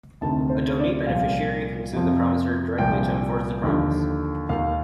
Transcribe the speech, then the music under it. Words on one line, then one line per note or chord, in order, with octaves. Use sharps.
A "donee beneficiary" can sue the promisor directly to enforce the promise.
D2 C3 D#3 A5
C5
D5
C2 A#2 F3 F5
F2 C3 F3
C2 A#2 F3 G5
D#2 D3 F3
D#2 D#3 F5